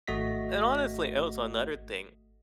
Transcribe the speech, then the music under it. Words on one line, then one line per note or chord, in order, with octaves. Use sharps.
And, honestly, it was another thing.
G#1 A3 F#4 D#5 A#6 B6